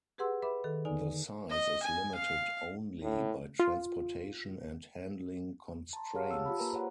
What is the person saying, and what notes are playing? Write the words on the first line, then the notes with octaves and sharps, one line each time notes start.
The size is limited only by transportation and handling constraints.
G4 G#4 B4 F#5 C6 E6
B4 E5 B5 D6
D#3 A4
D3 D#4 D5 G#5
D#5
G#5
F5
A2
F4
A5 A#5 C6
G4 G#4 C#5 F5 F#5 F6
A5 E6
F4 G4 B5
A#3 A#4 B4 G#5 A#5
G#4 C5 C#5 F#5